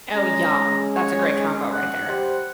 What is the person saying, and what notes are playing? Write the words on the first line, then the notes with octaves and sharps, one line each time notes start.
Oh, yum. That's a great combo right there.
G#3 C#4 A#5
C#5
F#5
G3 C5